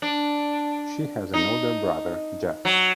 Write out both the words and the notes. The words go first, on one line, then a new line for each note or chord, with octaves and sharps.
She has an older brother, Jeff.
D4
D#4
F#3